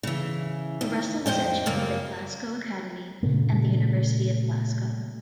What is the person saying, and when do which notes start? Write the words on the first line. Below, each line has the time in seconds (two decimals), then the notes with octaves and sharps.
Russell was educated at Glasgow Academy and the University of Glasgow.
0.03 C#3 E3
0.81 D#2
1.26 F2 C5 D#5 G5
1.66 F#2 C#3 A#3
3.23 A#2 C#3 A3